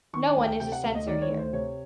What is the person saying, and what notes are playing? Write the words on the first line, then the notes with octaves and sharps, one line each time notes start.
No one is a censor here.
D#3 C#6
G#5
D2
G5
C3 G5
F#5
D2 F5
D#5
D#3 D5
C#5
D2
C5
C3 C#5